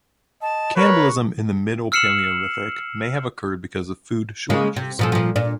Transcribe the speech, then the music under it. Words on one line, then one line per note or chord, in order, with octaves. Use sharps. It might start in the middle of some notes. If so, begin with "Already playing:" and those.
Cannibalism in the Middle Paleolithic may have occurred because of food shortages.
D#5 A5
A#4 B4 C#5 C#6
E6 F6 C7 C#7 E7 F#7
C#3 G#3 A#3
C3
A#2 F3 A4
A#2 F3
A#2 D4